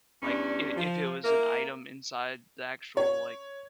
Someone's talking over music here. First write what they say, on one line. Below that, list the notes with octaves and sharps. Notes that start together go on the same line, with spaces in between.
like, i if it was an item inside the actual, like,
E2 G3 C#4 D4
F3
A#3 E4 A#4
C#5